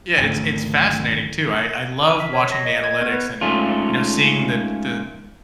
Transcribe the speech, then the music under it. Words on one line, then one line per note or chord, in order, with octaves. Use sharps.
Yeah, it's it's fascinating too, I I love watching the analytics, and, you know, seeing the the
G#1 D2
A#4
B6
C#5
A#6
D#5
G#6
B3
B4
G#2 A3 C#4 F4